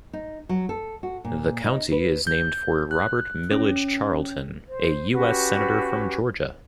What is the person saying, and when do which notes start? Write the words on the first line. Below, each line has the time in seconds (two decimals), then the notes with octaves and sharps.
The county is named for Robert Milledge Charlton, a U. S. Senator from Georgia.
0.13 D#4
0.49 F#3
0.69 A4
1.03 F#4
1.25 A#2
1.64 D#4
1.92 B4
2.27 G6
2.91 F#6
3.51 C#4
4.66 C5
5.11 C#4 F#4 G4 B4